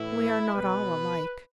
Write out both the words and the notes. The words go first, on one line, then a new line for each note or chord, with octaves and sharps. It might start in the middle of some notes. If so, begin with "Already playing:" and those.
We are not all alike.
Already playing: A2 E3 E4
B2 B4